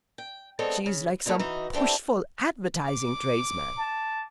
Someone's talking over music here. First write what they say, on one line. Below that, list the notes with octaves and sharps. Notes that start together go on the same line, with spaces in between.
She is like some pushful advertising tradesman.
G5
G#3 B3 C4 D4 A4 C#5
C#3
A#2 D#3 A#3 E4 F4 A4
E3 D#4 F#4 D#5
A3 C4 D4 E4 G4
D6
A5